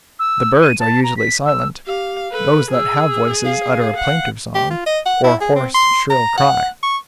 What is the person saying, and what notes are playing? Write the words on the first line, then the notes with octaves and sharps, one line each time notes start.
The birds are usually silent; those that have voices utter a plaintive song, or hoarse, shrill cry.
E6
D#7
A5
A#5
B6
E6
G4 F5
A4 B4
G#4 E6
F5
F#5
G4
F4
D#5
F#5
E4
G#4
C4
C6
A#5
F#5
C#6